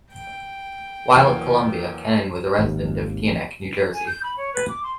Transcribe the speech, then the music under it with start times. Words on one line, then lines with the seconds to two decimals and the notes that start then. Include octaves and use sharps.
While at Columbia, Kenen was a resident of Teaneck, New Jersey.
0.12 G5
1.14 E2 F#3 A#3
2.59 G#1 D#2
3.94 G#5
4.07 G6
4.23 B5
4.37 C#5
4.54 B4
4.69 D6
4.83 C6